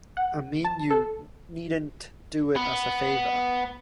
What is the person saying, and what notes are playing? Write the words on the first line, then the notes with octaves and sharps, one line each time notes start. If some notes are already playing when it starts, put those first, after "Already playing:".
I mean you needn't do it as a favor.
F#5
A5
A4
B3